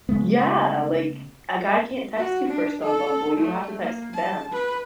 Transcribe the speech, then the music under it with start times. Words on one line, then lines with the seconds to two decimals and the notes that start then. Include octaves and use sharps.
Yeah, like, a guy can't text you first on Bumble. You have to text them,
0.09 C#3 G#3 A3 B3
2.17 F#4
2.49 D4
2.81 A4
3.38 A3
3.81 A#3
4.13 A5
4.52 B4